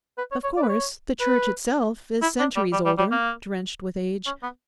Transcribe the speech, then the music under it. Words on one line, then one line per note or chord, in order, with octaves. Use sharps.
'Of course, the church itself is centuries older, drenched with age.
B4
C#5
C#5
D5
B4
C#5
B4
E4
D4
G3
G3
G3
G3
A#3
C#4
B3